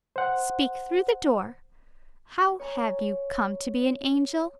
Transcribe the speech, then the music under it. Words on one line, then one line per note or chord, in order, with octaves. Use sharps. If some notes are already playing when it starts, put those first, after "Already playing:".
Speak through the door. How have you come to be an angel?
C5 F#5
C#5 G#5 A#5